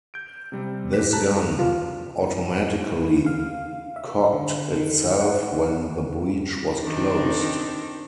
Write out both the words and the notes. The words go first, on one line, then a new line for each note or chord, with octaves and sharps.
This gun automatically cocked itself when the breech was closed.
G6 D7
C3 G3 C4
E3 G4 F#6 A#6 B6 E7
G4 A5 A#5 F#6
F4
F5
E5
D3
D#3
F#5
D#3 C4 D4